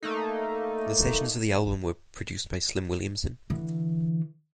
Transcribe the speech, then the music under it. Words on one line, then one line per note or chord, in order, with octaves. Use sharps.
The sessions for the album were produced by Slim Williamson.
A3 A#3 D#4 A4
D3 E3